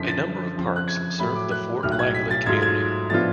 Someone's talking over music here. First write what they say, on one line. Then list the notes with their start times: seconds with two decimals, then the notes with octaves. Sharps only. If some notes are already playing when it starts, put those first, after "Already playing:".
A number of parks serve the Fort Langley community.
Already playing: F#2 D3 F3 B6
0.08 A6
0.56 F2 C#3 F3
0.76 F#6
0.88 G#6
1.19 A2 F#3 A3 B5
1.35 D6
1.51 F#6
1.83 B1 A2 F#3 F6
1.92 F#6
1.99 G#6
2.15 B6
2.31 A6
2.46 G#2 F#3 A3 F4 G#6
2.62 G#6
3.10 A2 F3 B3 D4 F4 A6